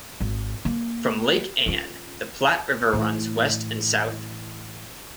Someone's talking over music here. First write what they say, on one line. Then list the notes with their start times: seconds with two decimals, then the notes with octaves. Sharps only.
From Lake Ann, the Platte River runs west and south.
0.20 G#1
0.65 A#3
1.66 C#4 F4
2.93 A2 E3